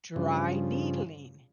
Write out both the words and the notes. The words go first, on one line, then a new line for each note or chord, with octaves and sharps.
dry needling?"
G2 C#3 F3